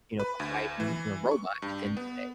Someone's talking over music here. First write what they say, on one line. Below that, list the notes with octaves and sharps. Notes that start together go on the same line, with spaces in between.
you know, providing, you know, robot at the end of the day,
B4
D2
E3
C#6
G2
B3